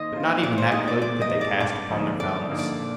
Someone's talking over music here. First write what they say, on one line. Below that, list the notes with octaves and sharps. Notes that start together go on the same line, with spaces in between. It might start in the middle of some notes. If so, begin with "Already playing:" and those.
But not even that cloak could they cast upon their foulness.
Already playing: D#3 A#3 C5 D#5
A#3 F4 C5
A#2 D5
C5
G#3 D#4 D#5
D5
A#2 D5
D#5
G#3 D#4
D5
G2 D5
D3 F3 A#3 D#4
G2 D5
D3 F3 A#3 D#4
D5
A#2